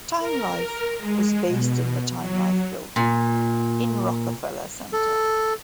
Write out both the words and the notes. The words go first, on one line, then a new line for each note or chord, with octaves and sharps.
Time Life was based in the Time Life building in Rockefeller Center.
A#4
G#3
B2
F#3
A#2
A4